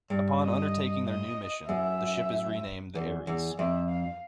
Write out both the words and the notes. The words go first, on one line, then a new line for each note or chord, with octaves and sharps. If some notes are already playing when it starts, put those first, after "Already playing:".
Upon undertaking their new mission, the ship is renamed the "Ares".
G2
D#5
D#5
F#2 E5
E2
E2
F2 E5
F5